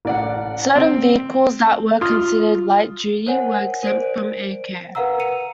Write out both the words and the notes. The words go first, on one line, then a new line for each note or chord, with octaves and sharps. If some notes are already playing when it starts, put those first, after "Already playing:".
Certain vehicles that were considered light-duty were exempt from AirCare.
A1 D5 F#5
C4
F4 C6 D#6
A#4 C5 C#5 F#5 G#5
A#4 C5 D5 D7
A#4 B4 F5 F#5 A#5 E6
C#7 D#7 F7